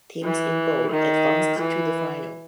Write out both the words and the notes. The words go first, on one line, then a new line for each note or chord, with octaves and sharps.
Teams in Bold advanced to the final.
E3
D#3
E3